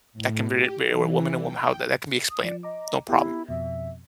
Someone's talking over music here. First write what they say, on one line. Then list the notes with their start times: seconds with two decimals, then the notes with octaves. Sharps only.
That can be re be it were woman to woman, how that that can be explained, no problem.
0.13 A2
0.45 G4
0.88 E3
1.40 G5
2.30 D#6
2.44 F3 D5
2.63 D#5 A#5 D6
3.09 B3 E4 G4 A#4
3.49 F2 B2 E5